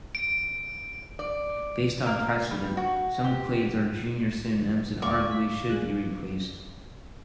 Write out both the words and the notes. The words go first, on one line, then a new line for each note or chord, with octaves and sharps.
Based on precedent, some clades are junior synonyms and arguably should be replaced.
D7
D5
A#3
G3
F#4
G4
D2 A#3 D5 F5 C#6
B6
A#3 G#4 F#6